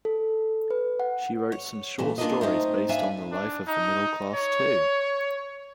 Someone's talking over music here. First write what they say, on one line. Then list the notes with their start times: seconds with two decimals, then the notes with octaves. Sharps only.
She wrote some short stories based on the life of the middle class too.
0.05 A4
0.71 B4
1.00 F#5
1.52 C#5
1.98 A#2 E3 A3
2.18 A#3 D4 F4 G#4 A#4 D#5
2.41 A3 C4 D#4 C5
2.89 G2 D4 E5 F5 G#5
3.32 D4
3.68 D#4
4.35 C#5